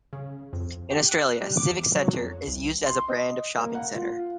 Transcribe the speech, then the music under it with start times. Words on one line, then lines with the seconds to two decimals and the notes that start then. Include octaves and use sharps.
In Australia, Civic Centre is used as a brand of Shopping Centre.
0.13 C#3
0.53 F2
0.90 G4
1.09 F#6
1.41 G3
1.57 D6
1.71 E2
1.95 F#3
2.13 F2
2.47 C2
2.86 C6
3.08 D#5
3.58 A#3
3.75 F#5
3.95 F4